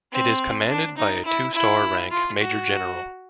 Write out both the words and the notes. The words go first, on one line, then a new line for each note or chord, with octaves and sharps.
It is commanded by a two-star rank Major-General.
C4
D4
D#4
E4
E4
F4
F#4